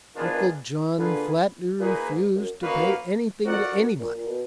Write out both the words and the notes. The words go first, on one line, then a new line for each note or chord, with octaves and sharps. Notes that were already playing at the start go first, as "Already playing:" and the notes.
Uncle John flatly refused to pay anything to anybody.
D#3 B3 D4 F4 G#4 B4
F3
D#3
D3 A#3 F4 G#4 B4
A#2 A#3 D#4 G#4 B4
G#2
F#2
F#2 A#3 D#4 F#4 B4 F5
F2 F#4 A#4 D5 F#5
F#2
A#2
A#2
B2